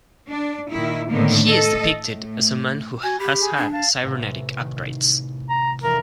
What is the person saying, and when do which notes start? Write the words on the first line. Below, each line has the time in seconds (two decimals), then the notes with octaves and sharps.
He is depicted as a man who has had cybernetic upgrades.
0.27 D4
0.70 A#2 D#3 E4
1.11 A2 D3 D#3 A#3 B3
1.45 A3 A4 D#5
2.07 A2
3.03 F#4 G#5
3.19 G4 B5
3.39 G#4
3.57 D4
3.72 F5 A5
4.03 A1 C3
4.59 D#3
5.50 A#5
5.83 F1 E3 D4 A#4